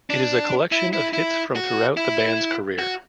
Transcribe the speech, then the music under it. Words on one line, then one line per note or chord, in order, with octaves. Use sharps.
It is a collection of hits from throughout the band's career.
D4
E4
E4
E4
F#4
E4
F#4